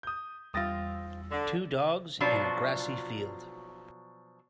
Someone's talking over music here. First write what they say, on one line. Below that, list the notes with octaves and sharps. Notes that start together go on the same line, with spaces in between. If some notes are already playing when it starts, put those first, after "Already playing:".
Two dogs in a grassy field.
D#6 G6
E2 G3 C4 F4 D#6 E6 A6 A#6
D3
B2 F3 F#3 D4 F4